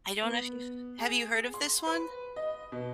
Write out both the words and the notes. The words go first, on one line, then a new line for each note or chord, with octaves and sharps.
I don't know if you've have you heard of this one?
B3
G#4
C6
B4
D#5
B2